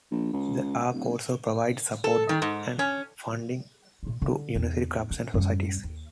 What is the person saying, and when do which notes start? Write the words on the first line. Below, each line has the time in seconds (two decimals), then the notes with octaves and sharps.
The Arc also provides support and funding to university clubs and societies.
0.11 A#1
0.33 C#2
0.93 D1
2.04 A4
2.29 D#3
2.42 G#2
2.79 C#4
4.03 A#2 A3
4.22 D3
4.55 E2 D#4
5.11 D4
5.34 F#2 G3
5.84 D#2